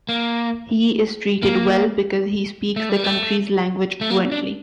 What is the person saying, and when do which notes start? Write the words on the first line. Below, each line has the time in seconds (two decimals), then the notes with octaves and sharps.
He is treated well because he speaks the country’s language fluently.
0.09 A#3
1.43 A#3
2.76 A3
2.89 G3
3.04 A3
4.01 A3
4.10 A#3
4.32 D4